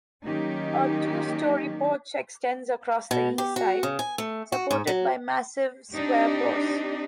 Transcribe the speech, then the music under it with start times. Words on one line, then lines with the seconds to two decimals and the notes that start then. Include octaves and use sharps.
A two-story porch extends across the east side, supported by massive square posts.
0.24 D#3 F#3 A#3 C#4 D#4 G4
3.11 B2
3.38 G4
3.56 F#4
3.83 C#3
3.99 G#5
4.18 A3
4.52 F#4
4.71 G#2
4.87 F#3
5.93 C4 D4 D#4 G4